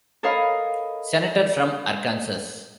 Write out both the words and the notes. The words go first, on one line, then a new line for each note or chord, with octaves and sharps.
Senator from Arkansas.
A4 A#4 C#5 D#5 F5 B5